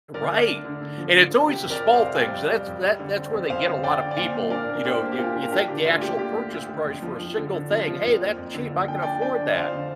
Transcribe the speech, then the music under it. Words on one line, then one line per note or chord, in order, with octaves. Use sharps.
Right, and it's always the small things. So that's that that's where they get a lotta people, you know, you you think the actual purchase price for a single thing, "Hey, that's cheap, I can afford that."
D3 A#4 D5
D2
D4
D3
D3
F3
D3
D3
C3 G4
F2
A#4 D5
G3
C5 F5
C3
G3 D5 G5
F2
G3
F2
G3
D3
C4
F2
F2 C5 F5
D3
F2 D5 G5
D3
D5
A#2 C5 F5
A#2
D4 A#4 D5
A#2
A#4
D4 G4 C5
A#3
G4
A#2 F4 A#4
D4
A#4
D4 G4
D3 G4
D2 F4
A#3 G4
A#3 G4
D2
D2
D3
F2
F3
F3
D3
D3
F3
F3
F2
A#3
F2
D3
A#3
D3 G5
D4 D5 G5
D4 D5 G5
D3
F2 C5 F5
D3